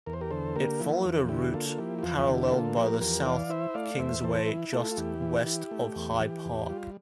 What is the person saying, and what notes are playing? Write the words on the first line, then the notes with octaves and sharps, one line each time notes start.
It followed a route paralleled by the South Kingsway just west of High Park.
E2 A#4
C5
G4 A#4
D3 A4 C5
A#3 G4 A#4
F3 E4
E2
D3 E4 G4
A#3 F4 A4
F4
F3 E4 G4
G4
E2 F4
F4
D3 E4 G4
A#3 F4 A4
F3 G4 A#4
E2 G4 A#4
E3 D5 F5
E4 C5 E5
A3 D5 F5
E2 C5 E5
E3 A4 C5
E4
A3 F4 A4
F4
E2 E4 G4
E3
E4
A3
E2
E3
E2
G3 F4